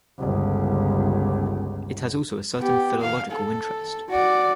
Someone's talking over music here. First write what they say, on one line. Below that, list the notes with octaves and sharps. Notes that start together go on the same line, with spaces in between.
It has also a certain philological interest.
G1 C#2
B3 G4
F5
A4
F#4 D5